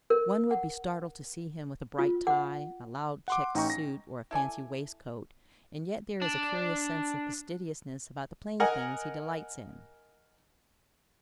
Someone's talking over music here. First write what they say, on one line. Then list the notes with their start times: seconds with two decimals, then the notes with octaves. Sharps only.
One would be startled to see him with a bright tie, a loud checked suit, or a fancy waistcoat, and yet there is a curious sense of fastidiousness about the plain things he delights in.
0.10 A#4
0.51 F#5
1.99 F4
2.27 F#5
3.28 F#5 C6 D6
3.55 A1 D#4 G5 A#5 C#6
3.70 A#6
4.31 E4 A4 D5 G#5
6.22 D4
8.60 A#4 D#5 F#5 G#5